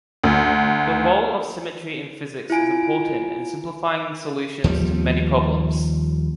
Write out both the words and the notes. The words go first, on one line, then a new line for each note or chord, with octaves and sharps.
The role of symmetry in physics is important in simplifying solutions to many problems.
D2
E4 F4 G#5 D7
D#2 F3 G3